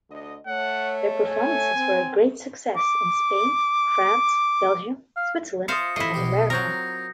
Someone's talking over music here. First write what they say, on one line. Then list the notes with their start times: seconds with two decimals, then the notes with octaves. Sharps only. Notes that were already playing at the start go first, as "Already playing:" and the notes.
Their performances were a great success in Spain, France, Belgium, Switzerland and America.
0.10 D2 D3 D#5
0.47 A3 C#5 F#5
1.28 G#5
1.74 C4
2.77 D6
5.16 F5
5.68 F4 C5 E5 F5 D#6 A#6 C#7
5.96 A1 A3 E4 D#5 C7
6.14 B1 B2 G4
6.50 F#3 C4 F4 A#4 C#5 G6 A#6